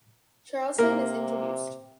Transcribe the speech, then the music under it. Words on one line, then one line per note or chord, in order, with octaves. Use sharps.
Charleston is introduced.
C3 A#3 A#4